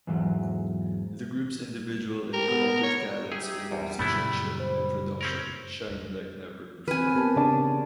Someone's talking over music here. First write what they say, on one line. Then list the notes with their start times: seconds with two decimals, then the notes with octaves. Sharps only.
The group's individual and collective talents in musicianship and production shined like never before.
0.07 E2 G#2 E3 F#3
2.33 G4 A#4
2.47 B3
2.83 C#5
3.32 D#4 G4 G#4 E5
3.71 A#1 E2 G3
3.99 F#2 A#2 C#3 A3 B3 E4 B5
4.56 C5 B5
5.21 C4 C#4 A#4
6.88 E3 C4 B4 G#5 F6
7.16 B3 C4 G4 A#4 A5
7.36 C#3 D4 C#5 A5